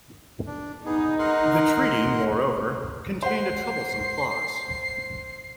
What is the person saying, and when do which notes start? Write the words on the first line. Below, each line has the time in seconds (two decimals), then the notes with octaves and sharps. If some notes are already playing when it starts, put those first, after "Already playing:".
The treaty, moreover, contained a troublesome clause.
0.47 D4
0.86 B3 D#4 G#4
1.19 A#4 F#5 C6
3.23 C5 F#5 C7